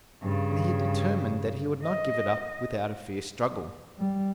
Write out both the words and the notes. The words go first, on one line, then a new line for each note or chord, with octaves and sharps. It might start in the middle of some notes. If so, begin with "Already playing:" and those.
And he had determined that he would not give it up without a fierce struggle.
G2 C#3
D#5
G3